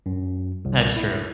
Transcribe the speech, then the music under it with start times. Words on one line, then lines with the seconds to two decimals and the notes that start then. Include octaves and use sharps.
That's true,
0.06 F#2
0.65 C2
0.96 E4